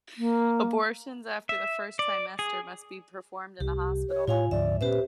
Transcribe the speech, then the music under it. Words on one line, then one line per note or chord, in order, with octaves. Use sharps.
Abortions after the first trimester must be performed in a hospital.
A#3
E5
D5
G#4
C2 G4
C#5
A2 F4 C#5 F5 G#5
D2 G#2 F3 D5 E5
A#2 B3 C#4 G4 B4 C5 E5